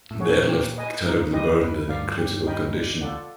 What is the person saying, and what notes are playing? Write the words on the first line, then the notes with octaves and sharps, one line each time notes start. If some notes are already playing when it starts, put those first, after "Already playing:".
They are left terribly burned and in critical condition.
A2
G#4 C#5 F#5
A#2
G4
B4 D#5 G#5
G2 D#4
F2 G4 B4 D#5
F#2 B4
G2 D5 F5
G4
A#4 D#5 G5 B5
D4
F4 A4 D5 F#5